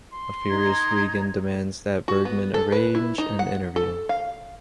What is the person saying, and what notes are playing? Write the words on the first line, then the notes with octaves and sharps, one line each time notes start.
A furious Wigand demands that Bergman arrange an interview.
C6
D#4 A#5 G#6
F#4
B3
A4
B4
E4
D#4
F#5
A4
F5